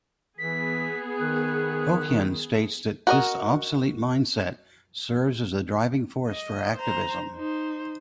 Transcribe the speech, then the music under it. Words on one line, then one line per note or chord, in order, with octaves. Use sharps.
Ochieng states that this obsolete mindset serves as the driving force for her activism.
E3 B3 G#4 B6
D#3 F#6
F#4 A#4 D#5
D#5
C5 A#5
D#4 C5